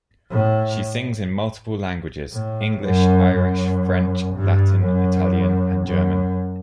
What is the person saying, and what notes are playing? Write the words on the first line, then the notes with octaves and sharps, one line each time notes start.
She sings in multiple languages: English, Irish, French, Latin, Italian and German.
A2
A2
F#2
F#2
G2
F#2
F#2